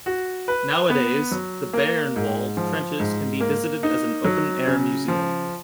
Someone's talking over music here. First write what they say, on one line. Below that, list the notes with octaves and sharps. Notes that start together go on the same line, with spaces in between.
Nowadays, the "Bayernwald" trenches can be visited as an open-air museum.
F#4
B4
B3
F#3
A#3
G#2
F3
G#2
A#3
D#4
F#3
C#3
F3